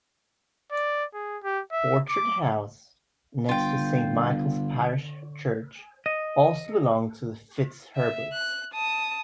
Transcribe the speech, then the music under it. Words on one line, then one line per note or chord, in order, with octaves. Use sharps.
Orchard House, next to Saint Michael's parish church, also belonged to the FitzHerberts.
D5
G#4
G4
E5
D6
G1 D3 F4 G5
D#5
E5
F#6
A5 D#6